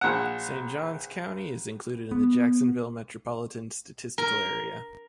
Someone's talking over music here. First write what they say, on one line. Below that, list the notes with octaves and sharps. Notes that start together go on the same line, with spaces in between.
Saint Johns County is included in the Jacksonville Metropolitan Statistical Area.
A#1 F#5
B3
A#4